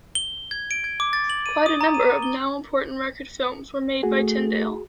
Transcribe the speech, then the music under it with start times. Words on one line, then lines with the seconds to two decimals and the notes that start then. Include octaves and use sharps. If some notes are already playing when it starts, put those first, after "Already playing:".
Quite a number of now-important record films were made by Tindale.
0.15 G7
0.51 G#6
0.71 D7
0.84 G#6
1.00 D6
1.13 A6
1.30 F#7
1.46 D#7
1.66 D#6
1.81 A#5
1.95 D#7
2.22 G7
4.03 A3 F#4 G#4